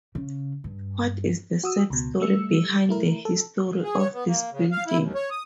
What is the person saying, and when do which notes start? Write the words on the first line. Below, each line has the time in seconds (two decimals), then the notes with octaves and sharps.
What is the sad story behind the history of this building?
0.15 C#3
0.64 G2
1.64 F#4 D#6 E6
1.90 C#2 B2
2.20 G3 A3 E6 C#7
2.89 A3 E4 A#4
3.25 A4
3.83 G#4
3.98 C#5
4.13 B3
4.27 A#3
4.51 C#3
4.72 F5
4.87 E4
5.01 D#2
5.15 C#5
5.31 D#6